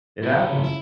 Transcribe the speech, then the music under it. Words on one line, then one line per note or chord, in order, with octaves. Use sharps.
It happens.
C#4 E4
C#3 F4
E4